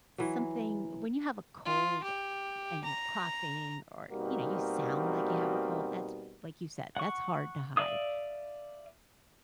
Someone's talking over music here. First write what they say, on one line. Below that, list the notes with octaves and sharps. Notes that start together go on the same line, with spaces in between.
something when you have a cold, uh, and you're coughing, or, you know, you sound like you have a cold, that's like you said, that's hard to hide,
E3 F#3
F4
G4
A#5
B2 G3 A#3 C4 D#4 F#4
F#5 C#6
D5 E5 F5 D#6